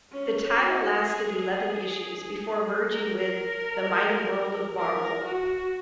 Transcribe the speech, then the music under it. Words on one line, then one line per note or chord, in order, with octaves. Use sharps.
The title lasted eleven issues before merging with "The Mighty World of Marvel".
C#4
F#4
G#4
A#4
A#4
F#4